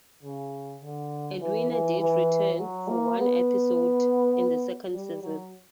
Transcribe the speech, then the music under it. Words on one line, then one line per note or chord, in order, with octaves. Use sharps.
Edwina did return, for one episode, in the second season.
C#3
D3
E3
E3
E3
F#3
A#3
B3
G3
F#3